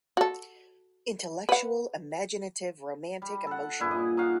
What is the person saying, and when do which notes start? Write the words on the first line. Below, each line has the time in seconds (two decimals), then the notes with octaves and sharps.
Intellectual, imaginative, romantic, emotional.
0.17 F#4 A4
1.49 B4 F#5
3.22 G3
3.47 A4 F#5
3.80 G2 A#2 E4 G#4
3.91 D#5
4.17 D#4 F#4 F5 F#5